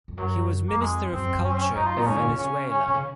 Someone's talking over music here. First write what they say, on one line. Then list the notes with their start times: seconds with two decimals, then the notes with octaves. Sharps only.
He was Minister of Culture of Venezuela.
0.08 F2
0.17 F#2 F#3
0.69 F#2 A#3
0.81 F2 G#3
1.12 F#2 C4
1.24 F2
1.35 F#2
1.44 C#4
1.51 C4
1.58 C#4
1.75 F#2 D#4
1.86 F4
1.96 A#2 D#4
2.07 G#2 C#4
2.18 A#2
2.29 C3
2.38 C#3 C#4
2.70 C#4
2.86 C3 C#4
2.94 C#3